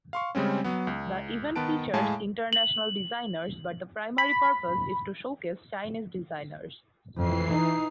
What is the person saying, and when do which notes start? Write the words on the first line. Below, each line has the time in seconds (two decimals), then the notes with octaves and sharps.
The event features international designers but the primary purpose is to showcase Chinese designers.
0.13 F5 C6 C#6
0.35 C#3 G3 G#3 C4 C#4
0.64 F#3 B3
0.87 C#2
1.56 D#3 B3 B4 A5 D7
1.93 A2 G#3 F5 G#5 A5
2.53 F#7
4.18 B5
7.17 F2 E3 C7
7.51 D#4